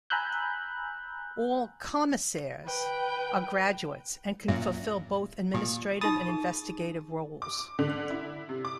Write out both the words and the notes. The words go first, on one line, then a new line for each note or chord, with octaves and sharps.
All "commissaires" are graduates and can fulfill both administrative and investigative roles.
G#5 A#5 B5 E6 F#6 G6
B4 G5
F#2 A#2 E5
A#2 G4 D#6
D#4 G4 B5 D#6 A6
G#4
D6
D3
E4
C3
D6